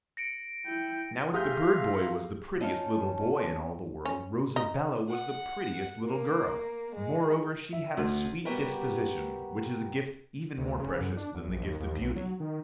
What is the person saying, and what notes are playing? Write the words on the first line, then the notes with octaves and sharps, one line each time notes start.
Now, if the bird-boy was the prettiest little boy in all the world, Rosabella was the prettiest little girl. Moreover, she had a sweet disposition, which is a gift even more precious than the gift of beauty.
A#6 C#7 D7
E4 G5
F4 G4 G#4 E5 F5 A#5 D#6 G6
C#4 D#4 F4 A5
C#4
D#4
F#5
A#3
G#3
E5
D2
G3 A#3 B3 F#4 G4 A#4
D2
C#3
F#2
D4
E2
A#1
D#2
D#2
B1
F#3
D#3